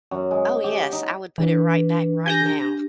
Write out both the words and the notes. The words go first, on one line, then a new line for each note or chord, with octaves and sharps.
Oh yes, I would put it right back, right now.
F#2
G#3
G4
F#5
D#4
E3 D4 B4
D4 G4 G#5 G6 A#6